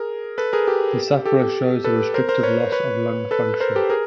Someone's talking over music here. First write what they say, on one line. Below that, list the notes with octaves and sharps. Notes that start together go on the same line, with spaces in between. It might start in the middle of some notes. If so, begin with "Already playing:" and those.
The sufferer shows a restrictive loss of lung function.
Already playing: G#4 A#4
A4 B4
G#4 A#4
G4 A4
G4 A4
A4 B4
A#4 C5
A#4 C5
B4 C#5
B4 C#5
A4 B4
A#4 C5
G4 A4
G#4 A#4